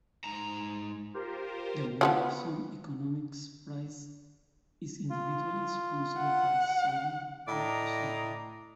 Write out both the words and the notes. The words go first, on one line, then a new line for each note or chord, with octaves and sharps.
The Wolfson Economics Prize is individually sponsored by Simon Wolfson.
G#2 A#5
F4 G4 A#4 C5
F3 A3 B3
F4
F#5
A2 D5 D#5 A#5